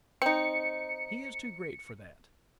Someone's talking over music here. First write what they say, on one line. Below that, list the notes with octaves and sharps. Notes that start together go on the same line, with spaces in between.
He is too great for that.
C4 D#4 C#7